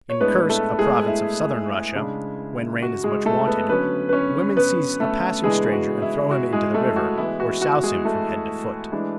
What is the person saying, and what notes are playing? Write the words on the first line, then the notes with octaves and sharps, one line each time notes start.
In Kursk, a province of Southern Russia, when rain is much wanted, the women seize a passing stranger and throw him into the river, or souse him from head to foot.
C#5
A2 G#3 B3 D4 B4
A3 A4
G#3 G#4
E4
C#3 G#3 D4
F#4
G#3 G#4
A3 A4
B3 B4
D3 F#3 B3 C#4 B4
B4
C#4 C#5
B3 B4
A3 A4
C#3 E3 G#3 B3 D4 G#4
F#4
E4
F#4
G#3 G#4
A3 A4
F#4
E3 G#3 B3 E4
F#4
F#4
G#3 G#4
A3 A4
E3 G#3 D4